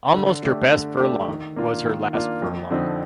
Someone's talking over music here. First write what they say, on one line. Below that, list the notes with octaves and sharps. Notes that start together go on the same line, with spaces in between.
Almost her best furlong was her last furlong.
D3
A3 D4 G4
D3
A3 D4 G4
D#3
A#3 D4 F4
D#3
A#3 D4 F4
F2
D3 F3 C4 D#4